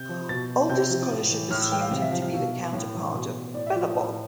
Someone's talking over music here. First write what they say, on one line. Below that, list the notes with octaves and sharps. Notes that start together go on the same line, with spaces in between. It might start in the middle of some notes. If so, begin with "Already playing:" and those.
Older scholarship assumed him to be the counterpart of Belobog.
Already playing: C3 G6
F3
B2 A6
C3 G6
F3
A2
E3
A2 F6
E6
E3 G5
F5
C3 F5
E5
F3 F5
F5
B2
A2
E3
B2
A2 D5
E5
F3 D5
A2